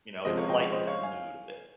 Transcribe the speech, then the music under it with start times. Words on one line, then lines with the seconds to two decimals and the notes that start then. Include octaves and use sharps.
you know, it's lightened the mood a bit.
0.25 C#2 C3 F3 G#3 C5 D#5
0.37 C#5 F5
0.48 D#5 G5
0.60 C#5
0.72 C5 D#5
0.87 C#5 F5
1.03 F5 G#5